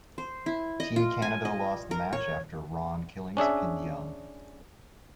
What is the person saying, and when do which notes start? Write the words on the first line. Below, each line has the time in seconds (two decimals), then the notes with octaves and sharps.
Team Canada lost the match after Ron Killings pinned Young.
0.18 C5
0.46 E4
0.80 D#5
0.96 F4
1.22 G#5
1.45 D#5
1.91 A#4
2.13 C#5
3.37 C#4 D4 G#4 E5